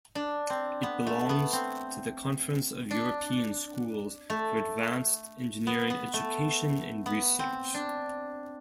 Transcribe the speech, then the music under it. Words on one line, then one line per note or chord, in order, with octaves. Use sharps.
It belongs to the Conference of European Schools for Advanced Engineering Education and Research.
D4
C4
B3
A3
B3
C4
D4
A3
B3
B3
A3
B3
C4
D4